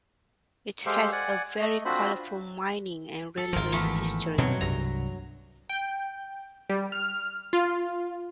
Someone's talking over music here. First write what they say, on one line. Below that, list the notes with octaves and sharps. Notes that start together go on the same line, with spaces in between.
It has a very colourful mining and railway history.
G#3 G4 A4 C5 F5
D5 F#5 G#5
A3 D#5
C4 D4 F4 F#4 C5 B5
A4
G#1 F3 F4 A#4
E2 A3
B2 F#3 C4
C2 G2 A#5
G5
G3
F6
F4